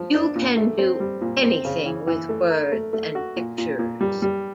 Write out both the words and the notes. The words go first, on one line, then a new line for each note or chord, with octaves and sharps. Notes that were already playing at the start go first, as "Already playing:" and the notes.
You can do anything with words and pictures'.
Already playing: F3
D4
A#2
A3
C4
G3
A#2
C4
C#3
E3
E3
A3
A#4
A3
A3
F#4
A#2
A#2
A#2
G3
G3